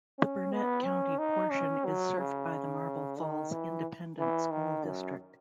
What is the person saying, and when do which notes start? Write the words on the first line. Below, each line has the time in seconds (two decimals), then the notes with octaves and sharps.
The Burnet County portion is served by the Marble Falls Independent School District.
0.19 C#4
0.52 B3
0.85 C#4
1.18 D#4
1.52 C#4
1.85 F#3
2.18 C#3
3.19 D#3
3.51 E3
4.19 E3
4.51 D#3
4.85 F#2